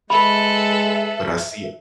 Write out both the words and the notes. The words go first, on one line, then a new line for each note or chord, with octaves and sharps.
But I see
G#3 A4 B4 E5 B5